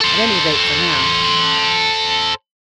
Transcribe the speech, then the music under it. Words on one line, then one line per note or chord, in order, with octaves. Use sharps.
"At any rate, for now."
A4 C5